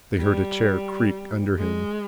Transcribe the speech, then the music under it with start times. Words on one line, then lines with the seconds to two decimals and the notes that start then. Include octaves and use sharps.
They heard a chair creak under him.
0.18 G3
1.58 G#3